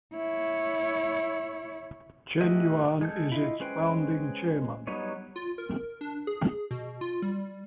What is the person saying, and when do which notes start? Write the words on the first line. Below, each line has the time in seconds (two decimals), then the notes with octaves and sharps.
Chen Yuan is its founding chairman.
0.15 E4 C#5
2.41 E3 A3 F#4 G4 D#5
3.01 G#3 A4 G6
3.32 E4 F4 D#5
3.60 G#3 C#4 B4 C5 G5
4.87 F#3 G3 B3 D#4 C#5
5.36 F4
5.58 A#4
6.01 D4
6.27 G#4
6.71 B2
7.01 F4
7.22 G3